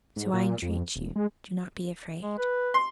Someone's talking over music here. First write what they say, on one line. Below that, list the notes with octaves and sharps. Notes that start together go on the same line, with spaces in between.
So I entreat you do not be afraid.
G#2
A#2
F2
E1
G#3
G#3
B4
C6